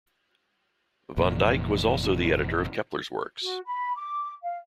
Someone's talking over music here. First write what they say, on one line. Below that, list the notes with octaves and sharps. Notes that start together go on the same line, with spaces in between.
Von Dyck was also the editor of Kepler's works.
F1 F2 A#2 E3
F#4
B5
D6
F5